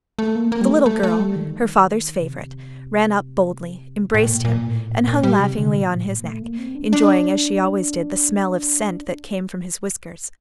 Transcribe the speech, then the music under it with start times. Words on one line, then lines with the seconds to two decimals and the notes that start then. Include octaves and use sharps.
The little girl, her father's favorite, ran up boldly, embraced him, and hung laughingly on his neck, enjoying as she always did the smell of scent that came from his whiskers.
0.19 A3
0.35 A#3
0.52 A#3
0.61 G3
0.70 A3
0.86 A3
1.03 A3
1.20 G3
1.36 D#3
2.21 C3
4.14 A2
4.23 A#2
4.45 A#2
4.67 A2
4.90 A#2
5.08 A#2
5.23 G3
5.40 C3
5.58 D3
5.75 A#2
5.91 A2
6.08 A#2
6.25 A3
6.42 A#3
6.59 C4
6.75 D4
6.93 D4